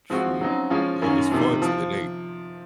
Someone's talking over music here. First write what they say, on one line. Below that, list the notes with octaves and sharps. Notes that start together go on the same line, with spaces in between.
True. Yeah, it's fun till it ain't.
F3 G#3 C4 F#4
C#3 F#3 C4 D#4
F3 G#3 C#4 F4
F#2 D#3 A#3 C#4
F2 C3 D#3
F3